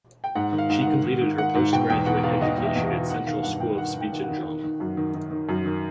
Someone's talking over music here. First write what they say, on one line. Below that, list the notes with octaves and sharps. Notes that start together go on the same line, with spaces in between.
She completed her post-graduate education at Central School of Speech and Drama.
G5
G#2 F#5
D#3
F5
G#2
F#5
D#3
D#3
D#3
D#3 F#5
G#2
B2 G5
E2 G5
B2 F#5
B2 F5
B2 D#5
E2 F5
E5
E2
F5
B2
D#3 F#5
D#3 F5
G2 F#5
D#3 G5
D#3 F#5
D#3
G5
D#3
D#3 F#5
D#3
D#3
F#2
D#3
D#3
D#3
F#2
D#3